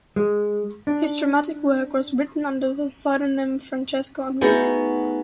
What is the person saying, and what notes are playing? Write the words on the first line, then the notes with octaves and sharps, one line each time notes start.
His dramatic work was written under the pseudonym Francisco Enrique.
G#3
D4
A3 B3 D#4 F#4 G#4